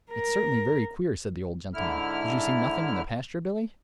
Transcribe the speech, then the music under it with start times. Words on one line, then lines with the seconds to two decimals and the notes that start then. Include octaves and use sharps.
"It's certainly very queer," said the old gentleman; "did you see nothing in the pasture, Billy?"
0.12 A#4
1.74 G#2 D3 E4 F6